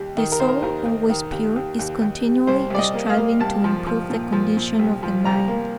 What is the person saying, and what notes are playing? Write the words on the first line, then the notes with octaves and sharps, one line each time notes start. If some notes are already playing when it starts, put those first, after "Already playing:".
The soul, always pure, is continually striving to improve the condition of the mind.
Already playing: D#2 G3 G4
D#3
A#4
D#3 C5
A#4
D#2 A#4
D#2
D#3
D#2
D#2
D#2
D#2
G3
C2 C5
C2 D5
D#5
A#3
F5
A#3
C2 A5
F3
F3
A#2
F3
A#2
C2
F3
C2 A#5
A#3